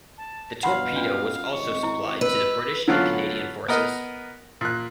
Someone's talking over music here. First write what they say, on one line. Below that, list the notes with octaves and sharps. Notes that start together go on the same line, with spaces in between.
The torpedo was also supplied to the British and Canadian forces.
A5
G2 B2 F5 F#5 B5 C6
C#4 D4 F4
G#1 C4 D#5 C#6
E4
B4 E6
D3 E3 F#3 B3 F4
B3 A#4 D#5
A#2 F#6